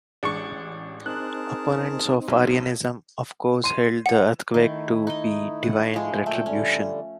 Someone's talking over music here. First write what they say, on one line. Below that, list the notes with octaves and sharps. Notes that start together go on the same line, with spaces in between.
Opponents of Arianism of course held the earthquake to be divine retribution.
A1 G#3 D4 C#6 C#7
C4 D#4 G#4 A#4 A5 F#6
B1
C6 D#7
F#5
D#3 A3 E4
D#4 D#5
F#5
F3 G#3
A#2 A3 G5
D3 G3 C#4